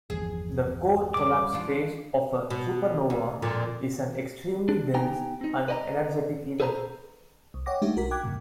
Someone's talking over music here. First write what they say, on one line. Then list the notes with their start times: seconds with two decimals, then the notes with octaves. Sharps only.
The core collapse phase of a supernova is an extremely dense and energetic event.
0.10 G1 E2 F3 G#4
1.14 C#3 G3 D6
1.53 E3 D4 F4
2.50 B2
3.10 D2
3.42 F2 A#2 D3
4.69 D4
4.94 B3 D#4 G4 G5 G#5 A#5
5.41 C4 D#4
5.68 B4 D5 D#5 G5 A#5
6.60 G#4 A4 B4 C5 A5 A#5
7.54 C2
7.66 C#5 D#5 F#5 G5 D6 A#6
7.82 G#3 A3 D4 D#4 G4 E5
7.96 B1 F#4 A#4 B6
8.11 G5 D6 F#6 G#6
8.24 E2 G2 A#2 C#3